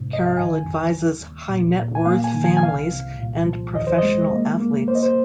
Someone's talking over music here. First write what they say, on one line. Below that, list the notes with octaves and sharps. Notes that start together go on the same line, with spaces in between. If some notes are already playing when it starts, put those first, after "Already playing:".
Carroll advises high-net-worth families and professional athletes.
Already playing: G#2 C3
C2 D#5
F5
D#3 G#5
F2
D#2
D#2
A#2
A#2
G#5
A#3 F5
G#5
D#3
G#5
G#5
C2 F5
C2
A#2
F3
D#2 D#5
C5
G#3 D#5
A#3
A#3
A#3 C5
D#5
C5